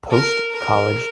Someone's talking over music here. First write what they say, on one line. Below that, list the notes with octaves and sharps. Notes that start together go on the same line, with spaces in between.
Post College.
A#4
A#4